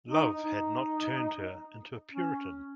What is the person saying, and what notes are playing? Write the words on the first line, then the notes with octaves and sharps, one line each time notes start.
Love had not turned her into a Puritan.
D#4
D#4
C#4